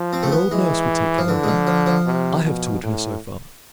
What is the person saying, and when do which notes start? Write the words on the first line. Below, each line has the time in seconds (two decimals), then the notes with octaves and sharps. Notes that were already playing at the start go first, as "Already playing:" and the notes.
Her old nurse will take care of her, I have taught her, so far.
Already playing: F3
0.13 C4
0.23 A3
0.32 B3
0.51 E3 G#3
1.18 F3
1.28 D3 E3
1.44 G#3
1.48 F3
1.67 F3
1.86 F3
2.06 C3
2.44 B2
2.83 A2